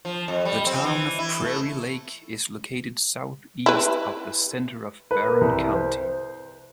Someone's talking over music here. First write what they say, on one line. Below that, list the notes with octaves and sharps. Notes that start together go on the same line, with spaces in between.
The town of Prairie Lake is located southeast of the center of Barron County.
F3
F2
G3
C4
E3
E4
A3
E4 B4
B4
A#4
C2
C5